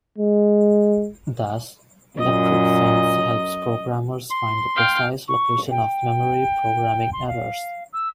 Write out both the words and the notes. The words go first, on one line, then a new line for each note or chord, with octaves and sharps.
Thus, Electric Fence helps programmers find the precise location of memory programming errors.
G#3
F#2 A#2 D#5
C6
F5 G5
C#6
G5
C6
F5
E6